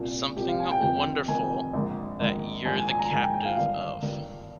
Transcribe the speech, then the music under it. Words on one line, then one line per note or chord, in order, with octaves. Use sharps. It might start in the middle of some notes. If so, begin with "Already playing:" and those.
Something wonderful, that you're the captive of.
Already playing: C2 A#2
C2 A#2 G4
F5
G#5
G5
F1 F2 D#3 G5
F1 F2 D#3 G#5
A#1 G#2 D#3
A#1 G#2 D#3
A#1 G#2 D#3 G#5
G#5
G#5
A#5
A#1 G#2 D#3 G#5
G5
G5
F5
G1 G2 D#3 F5
G1 G2 D#3